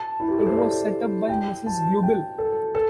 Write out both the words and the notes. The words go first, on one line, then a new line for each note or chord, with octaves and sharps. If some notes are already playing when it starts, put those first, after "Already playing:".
It was set up by Ms. Glubbil.
Already playing: A5
E4
G4
A4
C5
D5
G5
A5
G5
A4
A4